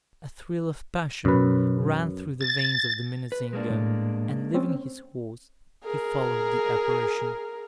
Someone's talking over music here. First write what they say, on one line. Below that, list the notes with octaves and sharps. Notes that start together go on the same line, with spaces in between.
A thrill of passion ran through the veins of the minnesinger; and, leaving his horse, he followed the apparition.
F#2 B2 F#3 B4
A6
B4
G#3 A#3 D4
A2
C4 C#4
G#4 A#4